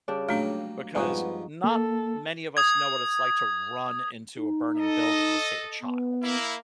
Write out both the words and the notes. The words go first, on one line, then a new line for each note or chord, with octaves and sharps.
because not many of us know what it's like to run into a burning building to save a child.
C#3 G3 D4
F#3 A3 A#3 D4 G5
G2 F3 G#3 B3 D#4 F#4
A#3 A4
D#6 G#6
D#4
A4 D#5
B3
A#3 E4